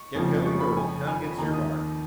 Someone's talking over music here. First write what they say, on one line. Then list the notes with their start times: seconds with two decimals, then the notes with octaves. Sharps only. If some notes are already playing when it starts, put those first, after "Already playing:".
"Get going or it'll count against your mark!"
Already playing: C#6
0.14 F#1 F2 C#3 F3
0.46 C#6
0.60 B5
0.77 G#5
1.07 G#5
1.38 D#2 D#3 A#5
1.53 D#6